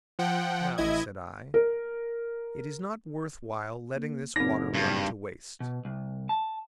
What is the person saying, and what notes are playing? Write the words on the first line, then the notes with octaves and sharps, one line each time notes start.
"Now," said I, "it is not worth while letting this water run to waste."
F3 F#5 G5
A1 E4 D#5 G#6
A#4
A#3
F#1 C4 D#4 A#6
G2
B2
C2
A5